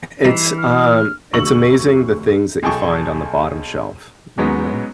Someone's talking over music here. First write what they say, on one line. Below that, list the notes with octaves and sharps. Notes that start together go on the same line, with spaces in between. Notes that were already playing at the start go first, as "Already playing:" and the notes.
It's, um it's amazing the things that you find on the bottom shelf, you know,
E3 G3 D#4 C7
F6
F1 D2 C#6 E6 F#7
B1 G#4 A4 G5 A5 C#6
G#2 F#3 G#3 B3 C#4 D#4